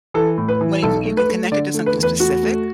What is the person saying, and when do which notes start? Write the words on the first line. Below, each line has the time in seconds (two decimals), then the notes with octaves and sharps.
when you can you can connect it to something specific,
0.14 E3 A4
0.38 A2
0.48 B4
0.61 E3
0.82 B1 A4
1.05 A3
1.17 B4
1.29 A3
1.52 D3 D5
1.74 A3
1.86 B4
1.97 E2
2.03 B4
2.20 A3 F#4
2.43 A3